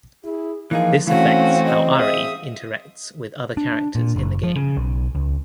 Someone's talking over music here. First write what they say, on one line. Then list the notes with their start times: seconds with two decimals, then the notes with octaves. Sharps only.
This affects how Ari interacts with other characters in the game.
0.24 E4 G#4
0.71 E3 F3 A#3 D#4 G#4 F5
1.07 E3 A3 C4 C#4 F#4 F5
1.66 D#5
1.99 G#4 C5 E5 F5 D#6
3.57 D4
3.95 A#2
4.16 F#1
4.43 F3
4.56 C#3
4.77 B1
5.15 C#2